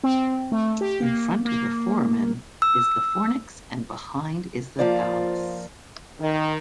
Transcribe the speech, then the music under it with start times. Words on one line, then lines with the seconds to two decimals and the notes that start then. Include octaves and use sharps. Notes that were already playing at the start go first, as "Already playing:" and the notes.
In front of the foramen is the fornix and behind is the thalamus.
0.04 C4
0.52 A3
0.81 G4
1.00 A#3
1.45 A#3
2.62 E6
4.79 F3 A#3 F4 C5 D5
6.20 D#3